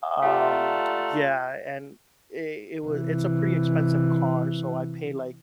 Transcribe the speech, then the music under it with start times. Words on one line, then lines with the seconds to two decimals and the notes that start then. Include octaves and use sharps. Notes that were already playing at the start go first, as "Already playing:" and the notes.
um, yeah, and it it wa it's a pretty expensive car, so I pay like
0.22 A3 F4 G4 D5 E5 F#5 A5 A#5
2.86 C3 E3